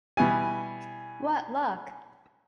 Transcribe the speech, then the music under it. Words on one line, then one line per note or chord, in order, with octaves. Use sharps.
What luck!
B2 E3 G3 G#5